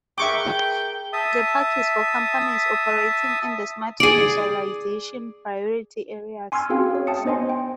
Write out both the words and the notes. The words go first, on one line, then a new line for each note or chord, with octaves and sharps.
The Park is for companies operating in the smart specialization priority areas.
G#4 A#4 B4 E5 G5 C#6 D6
E5 A5 D#6
G#4 D5
G#5 C6 C#6 E6 F6 G#6
C4 C#4 F#4 G#4 F5 G5
G#4 C#5
E5 G5 A5 D#6 C#7
B3 D4 C5 D#5 G#5 C6
G5